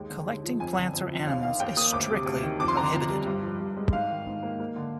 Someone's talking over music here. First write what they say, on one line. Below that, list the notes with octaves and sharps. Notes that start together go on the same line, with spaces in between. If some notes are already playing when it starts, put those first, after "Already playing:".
Collecting plants or animals is strictly prohibited.
Already playing: D#2 G#3
D3
D#2
F3
F2 G#5
D3
F2
F3
D#2 F5
D#3 F5
D#2 G5
A#3 D#6
D2 D6
C3
D2
D#3
F2 D6
C6
D3 A#5
C6
F2
G3
G2
F3
G2
G#3
G#2 F5
D#3
G#2
A#3
A#3
D3